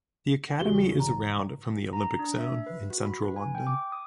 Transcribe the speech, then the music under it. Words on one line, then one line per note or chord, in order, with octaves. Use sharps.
The academy is around from the Olympic Zone in central London.
E2 C#3 F#4 G4 G7
G#1 A#5
A#5
D4
E5
B4
F#4
B5
B4
G#5
G5
D6
D#6